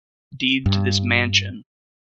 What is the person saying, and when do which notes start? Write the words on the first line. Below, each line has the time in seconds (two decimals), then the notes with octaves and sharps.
deed to this mansion."
0.66 G2